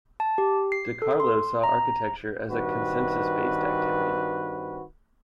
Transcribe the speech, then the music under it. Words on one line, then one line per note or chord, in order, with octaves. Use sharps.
De Carlo saw architecture as a consensus-based activity.
A5
G4
C7
A4
C6
A#5
G2 D#3 C4 F#4 B4